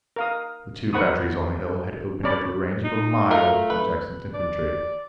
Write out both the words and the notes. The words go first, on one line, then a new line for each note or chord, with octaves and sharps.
The two batteries on the hill had opened at a range of a mile on Jackson's infantry.
A#4 F5 D#6
A#4 C5 F#5 B5 C#6 D#6
C#4 C#5 D5 B5
D#4
A3 F4 A#4
B4
D5